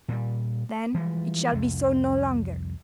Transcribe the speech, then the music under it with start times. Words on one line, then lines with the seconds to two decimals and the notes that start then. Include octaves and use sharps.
'Then it shall be so no longer!
0.08 A#2 G3
0.94 E3 F3 G3 G#3
1.52 C2 F2